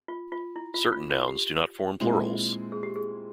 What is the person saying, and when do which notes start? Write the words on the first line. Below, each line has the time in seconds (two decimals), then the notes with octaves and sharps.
Certain nouns do not form plurals.
0.08 F4
0.32 F4
0.56 E4
0.74 F4
0.92 F4
1.10 F4
1.28 G4
2.00 A#2 G#3 C4 E4
2.72 G#4
2.83 G4
2.96 G#4